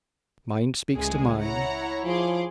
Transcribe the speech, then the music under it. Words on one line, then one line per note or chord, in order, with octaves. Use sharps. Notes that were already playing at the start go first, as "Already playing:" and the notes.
Mind speaks to mind.
C#2 A2 G#3 G#4 G#5
E4 C#5 F#5 A#5
F3 G#4 C6 D6